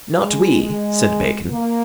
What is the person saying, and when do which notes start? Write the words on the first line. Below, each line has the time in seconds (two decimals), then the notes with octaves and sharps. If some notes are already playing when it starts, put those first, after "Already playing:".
"Not we," said Bacon.
0.18 G#3
0.62 G#3
1.51 A#3